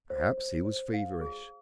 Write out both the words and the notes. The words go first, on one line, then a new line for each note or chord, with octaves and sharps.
Perhaps he was feverish.
C5
C5
C5
F5
G#4